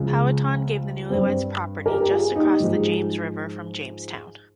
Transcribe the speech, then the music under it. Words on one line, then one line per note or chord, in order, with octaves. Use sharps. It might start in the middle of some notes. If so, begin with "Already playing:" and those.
Powhatan gave the newlyweds property just across the James River from Jamestown.
Already playing: C#2 C#3 F3 G#3
G2 G3 C4
G4 A#4
G4
F4 G#4
D#4 G4
G#2 F3 G#3